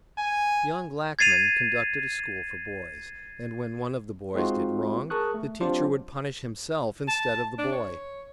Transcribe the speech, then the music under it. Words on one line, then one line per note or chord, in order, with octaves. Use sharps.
Young Lackman conducted a school for boys, and when one of the boys did wrong, the teacher would punish himself instead of the boy!
G#5
G#6 A6 C7 D#7 F7
G#3 C4 D#4 F4 F#4
G#4 A#4 A5 C#6 D#6 F#6
A3
F#3 C4 D4 F4 G4 C5
A5
D4
C#5